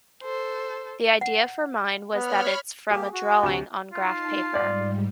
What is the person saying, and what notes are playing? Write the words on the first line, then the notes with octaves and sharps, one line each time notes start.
The idea for mine was that it's from a drawing on graph paper.
A4 C5
F#5
B3 C#5 B5 F6
A#3 G4 G#4
F#4
D2 C3 F#5 E7
D#4 F4 A5 C7
G#2 G3 D5